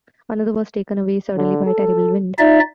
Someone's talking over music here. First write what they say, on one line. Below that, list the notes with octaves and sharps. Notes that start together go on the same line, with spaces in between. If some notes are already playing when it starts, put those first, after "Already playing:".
Another was taken away suddenly by a terrible wind.
D3
A4
D#4 F4 D5 E5